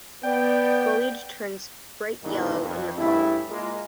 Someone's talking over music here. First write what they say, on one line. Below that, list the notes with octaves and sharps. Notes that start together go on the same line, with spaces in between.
Foliage turns bright yellow in the Fall.
B3 D5 G5
B1 E2 G2 A#2 D#3 E3
F2
G2 C#3 E3 A3 E4
G#3 A#3 F4